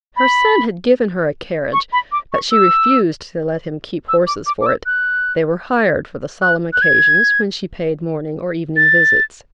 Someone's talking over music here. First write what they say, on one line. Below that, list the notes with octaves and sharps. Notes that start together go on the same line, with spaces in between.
Her son had given her a carriage; but she refused to let him keep horses for it; they were hired for the solemn occasions, when she paid morning or evening visits.
B5
C#6
B5
D6
C#6
E6
E6
D6
D6
D6
E6
F#6
F#6
F#6
G#6
A6